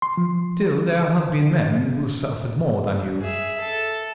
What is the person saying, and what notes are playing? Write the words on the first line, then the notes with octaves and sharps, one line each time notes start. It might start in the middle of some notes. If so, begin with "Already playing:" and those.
"Still, there have been men who suffered more than you."
C6
F3
G#4 E5
A4